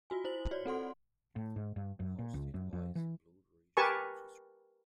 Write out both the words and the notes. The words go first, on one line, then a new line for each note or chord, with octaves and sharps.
Hallstead lies in Blue Ridge School District.
F4 F#4 G#5
E4 C5 F#7
F#4 C#5 D5
C4 A4 F#5 C6
A2
G#2
G2
F#2
A#2
C#2
F#2
F2
E3
G4 A#4 B4 G#5 A5 C#6